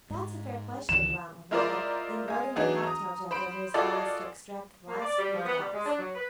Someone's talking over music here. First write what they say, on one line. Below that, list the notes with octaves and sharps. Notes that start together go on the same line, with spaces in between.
"That's a fair question," Blount replied, inverting a cocktail jug over his glass to extract the last few drops.
G#2
C#2 D#3 E3 E7
G#3 E4 F4 A#4 C5 D5
G#3 G#5
E3 F#3 B3 D4 D#4 G#4
A#5 D#6
C5 B5 D7
F4 F#4 G#4 A4 D5 D#5
A#3
D5
G3
F3
B3
G3
G#3
D4
F#3
B4